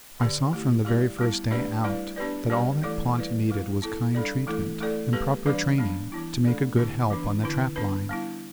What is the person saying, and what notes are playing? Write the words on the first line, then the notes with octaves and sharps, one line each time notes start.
I saw from the very first day out that all that Pont needed was kind treatment and proper training to make a good help on the trap line.
D3 B3 G4 B4 D5
A3 E4 G4
G3 E4 G4 D5
G3 B3 E4
A3 D4 G4 B4 D5
G3 E4 B4 D5
B3 D4 G4 B4 D5
G3 B3 G4 B4 D5
E3 A3 E4 A4 D5
G3 E4 B4 D5
G3 E4 B4
B3 E4 A4
G3 D4 A4 D5
E3 A3 E4 A4
A3 E4 A4 D5
G3 B3 G4 B4
E3 G3 D4 B4 D5
G3 B3 D4
E3 B3 E4
A3 D4 A4 D5
D3 B3 E4 G4
E3 B3 D4 B4
D3 B3 E4 B4
B3 D4 B4
G3 B3 E4